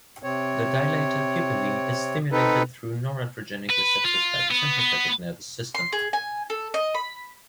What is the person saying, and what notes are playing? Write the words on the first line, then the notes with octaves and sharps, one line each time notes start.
The dilator pupillae is stimulated through noradrenergic receptors by the sympathetic nervous system.
C3 C4 C#5
C4 D#4 A4 B4
B4
F4
B3
B3
C6
G#4
G#5
A4
D#5
B5